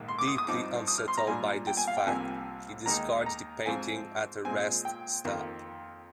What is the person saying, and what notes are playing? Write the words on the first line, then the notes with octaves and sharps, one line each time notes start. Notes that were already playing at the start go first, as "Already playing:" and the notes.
Deeply unsettled by this fact, he discards the painting at a rest stop.
Already playing: A#1 G#2 D#3 A#3
C6
D6
D#6
D#6
G2 F3 C4 D#4 D6
D#6
F6
C6
A#5
A#2 G3 D4 G#5
G5
G#5
F5
G5
C2 C3 F3 A#3 G#5
D#2 D#3 G#3 D#4 A#5
A#5
G#2 F3 C4 F4 G#5
A#2 G#3 C4 G#5
G5
F2 D#3 A#3